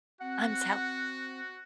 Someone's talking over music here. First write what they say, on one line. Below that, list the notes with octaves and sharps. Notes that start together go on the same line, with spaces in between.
I'm so
C4 F#4 F#5